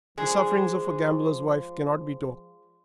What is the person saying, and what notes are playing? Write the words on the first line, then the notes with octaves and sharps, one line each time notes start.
The sufferings of a gambler's wife cannot be told.
F3 G#3 D4 G#4